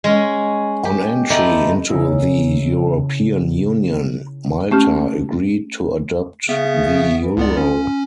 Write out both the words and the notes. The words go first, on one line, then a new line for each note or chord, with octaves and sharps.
On entry into the European Union, Malta agreed to adopt the euro.
G#3 C#4
G4
A3 B3 D#4 D5
C#3 D#4 E4
A3 C#4 G4 F6
C#3 B3 E5
E3
C#2 B3 F4 D5
C#4